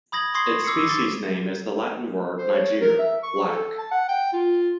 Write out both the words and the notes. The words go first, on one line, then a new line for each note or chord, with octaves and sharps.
Its species name is the Latin word "niger" "black".
B5 D#6 G#6 A#6 F#7
C6 C#6 D#6 G#6 A#6 C7
D6 E6 C7 C#7
D6 A6 G7
C5
C#5
A#4
E5
C#6
A4
A5
F#5
G5
F4